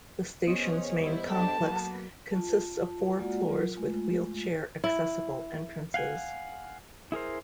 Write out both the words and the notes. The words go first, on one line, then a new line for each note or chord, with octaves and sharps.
The station's main complex consists of four floors with wheelchair accessible entrances.
B3 C#4 G#4 C5 C#5 D#5
E2 G3 E4
D4 G4 A4 A5
F#3 A#3 B3
F4 A5
G#3 A#3 F4 F#4 D5 F#5
F#3 F4 A#4
G#3 A3 F4
E4
F5 F#5 G#5
E4 G#4 A#4 C5